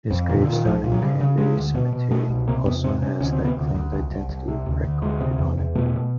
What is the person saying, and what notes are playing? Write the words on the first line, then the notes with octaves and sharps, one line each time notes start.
His gravestone in Granbury Cemetery also has that claimed identity recorded on it.
F2
A#2 D#3
D3
A#2
D#3
C2 F3
A#2
F#3
C#3 G3
C#3
C#3 G#3
D2
B2
B2
B2 A3
C2
C3 A#3
E2 B3
C3 C4
C3 C#4
D2 C#4
C4
C3
B3
D2
D2
C2
C2
C2
C3
D2
D2
D2 G#3
C3
E2
E2
B2 A3
B2